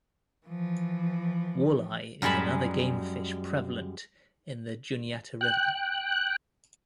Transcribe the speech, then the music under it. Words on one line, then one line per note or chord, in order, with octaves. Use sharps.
Walleye is another game fish prevalent in the Juniata River.
E3 F3
F#2 G3 G#3 A5 B5
G5 F#6